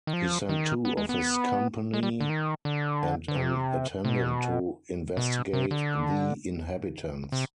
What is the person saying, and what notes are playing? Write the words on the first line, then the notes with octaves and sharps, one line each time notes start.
He sent two of his company and an attendant to investigate the inhabitants.
D#3
F3
D#3
B3
G#3
B3
G#3
G3
D3
D#3
D3
D3
C3
C3
B2
B2
C3
D3
C3